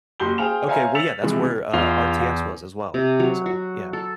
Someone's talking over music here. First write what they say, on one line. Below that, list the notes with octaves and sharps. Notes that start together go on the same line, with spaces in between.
Okay, well, yeah, that's where, uh, RTX was as well, so, yeah.
F#1 F#4 G4 C6 G6 G7
G#4 C5 F5 G5 F6 F7
C5 C#5 E5 F5 G#5 A#5
E6 A6 B6 C#7 F7 F#7
C3 E3 F3 G#3
E2 F4
C3
F#3
F#4
A4